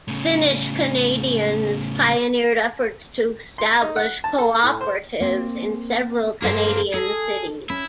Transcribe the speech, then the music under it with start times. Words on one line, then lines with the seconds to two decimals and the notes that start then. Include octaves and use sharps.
"Finnish Canadians" pioneered efforts to establish co-operatives in several Canadian cities.
0.08 A2 C#3
3.58 C6
3.81 D#4
3.96 F#5
4.24 A5
4.38 A4
4.63 A2
4.81 C5
5.20 A#3 C4
6.42 G2 A#3 C4 A4
6.94 G#4 A4
7.70 C#4 E4